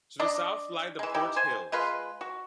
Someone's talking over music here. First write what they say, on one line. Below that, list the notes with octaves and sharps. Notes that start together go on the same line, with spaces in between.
To the south lie the Port Hills.
D4 D5 D#5
E3 G#3
D#4 E4 G4
C5 G#5
G#3 F4 B4 C6
F#4